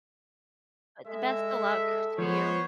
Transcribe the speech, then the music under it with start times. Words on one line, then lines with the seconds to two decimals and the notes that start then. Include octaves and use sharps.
But, the best of luck to you.
1.07 G#3 A4 E5
2.18 F3 B3 C5 C#5